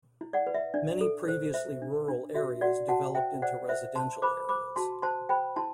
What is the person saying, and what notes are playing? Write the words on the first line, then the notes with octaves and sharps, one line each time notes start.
Many previously rural areas developed into residential areas.
E4
D5 F#5
B4
E5
D4 D5
A4
C5
C5 E5
D4
D4
F#4 E5
F#4 D5 F#5
F#4 F#5 A5
C5 E5 G5
C5 D5 F#5
C5 E5
C5 A5 C6
C5 B5 D6
C5 B5 D6
F#4 A5 C6
C5 A5 C6
C5 G5 B5
E4 A5 C6